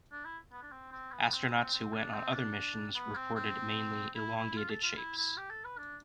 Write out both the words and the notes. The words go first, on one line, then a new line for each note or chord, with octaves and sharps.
Astronauts who went on other missions reported mainly "elongated shapes".
D4
E4
B3
D4
C4
C4
B3
C4
C4
C4
D4
C4
D4
B3
C4
C4
E4
E4
F4
A4
F4
E4
E4
G4
A4
B4
D4